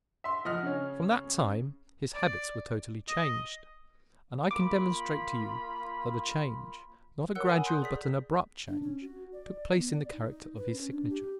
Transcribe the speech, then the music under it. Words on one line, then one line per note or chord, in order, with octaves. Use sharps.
From that time his habits were totally changed, and I can demonstrate to you that a change--not a gradual, but an abrupt change--took place in the character of his signature.
E5 C6
F3 D#5 F#5 F6
C#3 C#4
D5
D#5
A#3 F4 B5 D6
A#4 C#5 F#5 E6 F#6 C#7
F#5 G#5 B5 D#6
C6 D#6 F#6 G6
G#4 D5 D#6 B6
D4
C#4
F#4
D5
B3
D5
D#4
B4
C#4
D4
G4